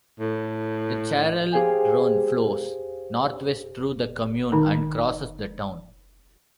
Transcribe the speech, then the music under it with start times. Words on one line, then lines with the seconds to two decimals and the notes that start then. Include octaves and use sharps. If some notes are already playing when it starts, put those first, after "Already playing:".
The Chalaronne flows northwest through the commune and crosses the town.
0.20 A2
1.52 G4 G#4 C5 F5 G#5
4.52 D#3 D#4